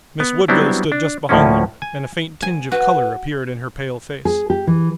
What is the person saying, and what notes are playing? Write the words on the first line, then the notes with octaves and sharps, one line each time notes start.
Miss Woodville stood just behind them, and a faint tinge of color appeared in her pale face.
B3
F#3 G3 B3 C4 D4 E4
D4
D2 A2 F3 A#3 C#4
G#5
G#5
F#4 B4
G#4
G4
E3